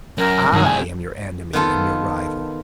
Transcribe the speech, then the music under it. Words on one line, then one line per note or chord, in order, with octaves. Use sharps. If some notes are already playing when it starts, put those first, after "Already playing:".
I am your enemy and your rival.
F#2 A#4
C2 G2 D#3 G#4
G#5
D#3 B3 F4 A4